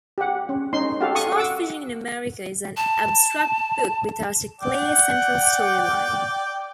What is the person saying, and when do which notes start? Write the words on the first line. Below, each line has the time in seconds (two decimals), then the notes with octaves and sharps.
"Trout Fishing In America" is an abstract book without a clear central storyline.
0.18 G4 F#5
0.49 C#4
0.73 C#4 D#4 C6
1.00 F#4 G4 A4 F5
1.15 C#6 D#6
1.36 F#5 D6 E6
2.77 A5
4.61 D5 F#5 G5 D6